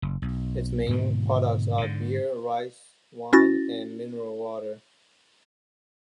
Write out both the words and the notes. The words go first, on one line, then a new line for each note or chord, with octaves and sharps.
Its main products are beer, rice wine, and mineral water.
F#1
B1
G#2 B2 D3 D#3
G#2 D3
C#4 E4 F#4 A6 A#6